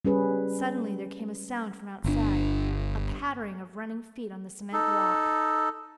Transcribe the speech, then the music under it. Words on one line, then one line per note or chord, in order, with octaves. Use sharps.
Suddenly there came a sound from outside--a pattering of running feet on the cement walk.
G3 C#4 G#4 B4
G1 D4
D#4 A4